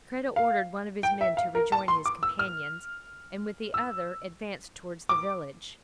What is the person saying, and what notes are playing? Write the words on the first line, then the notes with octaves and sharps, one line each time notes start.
Kreta ordered one of his men to rejoin his companions, and with the other advanced towards the village.
F5
G5
E5
F5
A#4
A5
C6
D6
E6
F6
E6
D6